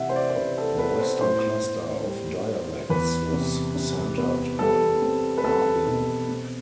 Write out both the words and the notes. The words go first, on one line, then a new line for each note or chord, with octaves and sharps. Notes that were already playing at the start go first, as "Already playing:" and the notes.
The western cluster of dialects was centred on Arbil.
Already playing: C3 E3 E5 F#5
C5
D5
C5
C3 B4
A4
B3 B4
C5
A2 C5
A2
G3
G3
E2 B4
C3
C3
B3
G3 A4
C4
B4
C4 A4
B2
C4